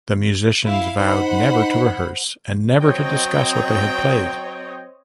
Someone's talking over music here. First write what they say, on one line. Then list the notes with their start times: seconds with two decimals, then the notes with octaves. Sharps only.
The musicians vowed never to rehearse and never to discuss what they had played.
0.65 E4 F5
0.99 D#4 C5 F#5 B5
2.80 F#3 C4 C#5 D#5 G5